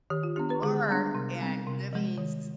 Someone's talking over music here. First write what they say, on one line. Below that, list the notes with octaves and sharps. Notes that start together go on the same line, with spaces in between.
hurt and living s"
D#3 G4
F4
B3 D4 G4
B3 B4
D3 G#3 G#4
G3 B3 D4
C3
G3 C4
C3
F3 G#3
D#3